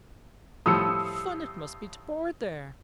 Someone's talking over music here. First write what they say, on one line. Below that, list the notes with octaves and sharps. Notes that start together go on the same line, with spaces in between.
"What fun it must be to board there!"
A2 F3 G3 D#6 E6 C#7